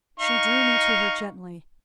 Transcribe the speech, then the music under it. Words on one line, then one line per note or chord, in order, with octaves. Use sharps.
She drew me to her gently.
D#4 F5 C#6